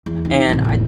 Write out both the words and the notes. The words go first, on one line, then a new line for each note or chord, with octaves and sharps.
and I
E2
D#3
A1 C3
F1 D#2